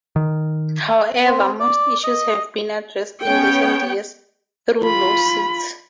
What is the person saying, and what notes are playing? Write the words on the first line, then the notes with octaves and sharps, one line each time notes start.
However, most issues have been addressed in recent years through lawsuits.
D#3
C4
D5
D#5
B3 C#4 C#5 G5
F4 B5